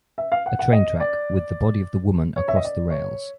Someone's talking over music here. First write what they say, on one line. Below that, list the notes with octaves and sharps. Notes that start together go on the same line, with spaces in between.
A train track with the body of the woman across the rails.
E5
F5
F#5
F#5
D#5
D5
C#5
E5
D#5
D5
C#5